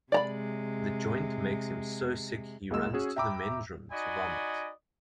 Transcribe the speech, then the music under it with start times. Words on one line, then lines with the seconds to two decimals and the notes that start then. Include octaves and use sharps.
The joint makes him so sick he runs to the men's room to vomit.
0.12 C3 G#3 D5 A#5 B5
2.70 C2 G#3 A#3 D#5 E6 E7
2.93 C#4 F#4 G#4
3.17 E5 G5 A#5 B5 D6 E6
3.92 D#4 F#4 D5 D#5 G#5 B5